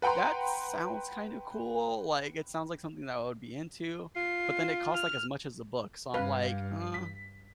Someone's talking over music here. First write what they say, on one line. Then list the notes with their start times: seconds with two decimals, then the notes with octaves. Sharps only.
"That sounds kinda cool, like, it sounds like something that I would be into." But then it costs, like, as much as a book, so I'm like, "Uh,
0.02 B4 F#5 G5 A#5 C6
4.16 F4 C7
4.95 F6
6.14 G2 B4 F5
6.94 B6